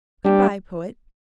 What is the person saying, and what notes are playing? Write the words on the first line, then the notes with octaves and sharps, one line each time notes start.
Good-bye, poet.
G3 D4 G4